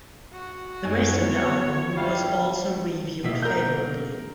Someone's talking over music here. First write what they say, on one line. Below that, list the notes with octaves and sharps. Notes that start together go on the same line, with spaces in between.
The rest of the album was also reviewed favourably.
F#4
F#2 F#3 C4 D#4 E4 C#5 G#5
E3 B3
G3 E4 F4 F5
B2 A#3 E5
A#4 G6